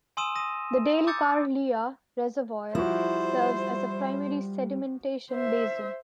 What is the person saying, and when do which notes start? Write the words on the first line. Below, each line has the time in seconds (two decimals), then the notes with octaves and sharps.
The Dalecarlia Reservoir serves as a primary sedimentation basin.
0.17 G#5 C6 D#6 E6 D#7 E7
0.35 D#6 A#6 D#7
1.07 A#5 D6 E6 G6 A6 C#7
2.75 F3 G3 E4 F#4 C5
5.31 C5 E5